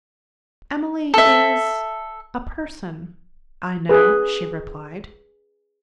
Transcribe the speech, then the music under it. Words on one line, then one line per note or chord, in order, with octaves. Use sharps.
"Emily is--a person--I know," she replied.
A4 E5
G#4 B4